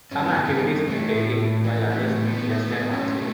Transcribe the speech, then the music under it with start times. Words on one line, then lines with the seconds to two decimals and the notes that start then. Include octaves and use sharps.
Some activities meet daily while others meet less than monthly.
0.11 G2 C#4
0.28 B3
0.36 G2
0.45 B3
0.62 E3
0.88 A3
1.13 A2
1.38 A2
1.64 E3
1.90 A3
2.15 A2 A3
2.32 B3
2.40 A2
2.49 A3
2.66 F#3 B3
2.91 A3 C#4
3.17 B2 A3